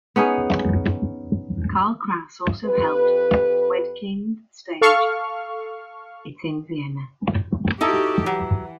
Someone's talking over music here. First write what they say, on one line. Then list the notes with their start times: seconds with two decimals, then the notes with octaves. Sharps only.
Karl Kraus also helped Wedekind stage it in Vienna.
0.16 B3 C#4 D#4 G#4
2.65 F2 G4 B4
4.81 A4 F5 C#6 F6
7.81 D#4 E4 F#4 G4 A4
8.26 E3 F#3